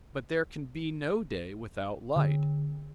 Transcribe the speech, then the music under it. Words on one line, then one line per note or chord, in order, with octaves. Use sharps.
But there can be no day without light.
D3